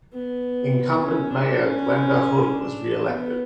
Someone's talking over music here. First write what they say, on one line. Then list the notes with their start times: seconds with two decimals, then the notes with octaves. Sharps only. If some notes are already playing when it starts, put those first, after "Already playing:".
Incumbent mayor Glenda Hood was reelected.
0.13 B3
1.02 C#4
1.31 D4
1.61 C#4
2.49 D4
3.08 B3